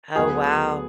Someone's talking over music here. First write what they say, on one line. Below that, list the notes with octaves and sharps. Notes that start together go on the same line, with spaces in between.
Oh, wow.
D2 D3 F#3 B3 G#4